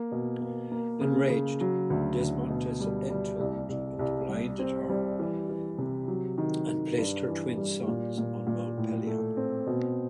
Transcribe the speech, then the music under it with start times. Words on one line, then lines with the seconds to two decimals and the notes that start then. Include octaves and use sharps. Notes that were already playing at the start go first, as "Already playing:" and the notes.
Enraged, Desmontes entombed and blinded her and placed her twin sons on Mount Pelion.
Already playing: A#3
0.12 B2
0.41 A#3
0.71 A#3
1.01 C#3
1.30 C#3
1.61 F#3
1.90 D2
2.20 D2
2.49 B2
2.81 G3
3.10 G3
3.39 C2
3.69 C2
3.99 C2
4.29 G3
4.59 C4
4.89 G3
5.19 E3
5.49 E3
5.78 C3
6.08 F#3
6.38 D#3
6.68 D#3
6.98 G2
7.28 E3
7.57 G3
7.88 A#2
8.18 A#2
8.47 A#2
8.77 A2
9.07 A3
9.37 C4
9.67 B2